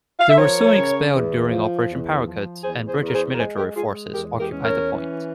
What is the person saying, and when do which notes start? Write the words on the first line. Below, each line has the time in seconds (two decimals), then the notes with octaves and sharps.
They were soon expelled during Operation Paraquet and British military forces occupied the point.
0.20 F5
0.29 E5
0.38 F3 A#4 C#5
0.76 C#3
1.14 E2
1.51 F3
1.89 E2
2.27 F3
2.63 E2 G#4 C5
2.89 G#4 C5
3.01 E2
3.08 A#4
3.14 G#4 C5
3.34 A#4
3.39 G#3 G#4 C5
3.57 G4 A#4
3.76 G#3 F4 G#4
4.14 E2 G4 A#4
4.39 G4 A#4
4.52 C#4
4.64 A#4 C#5
4.90 E3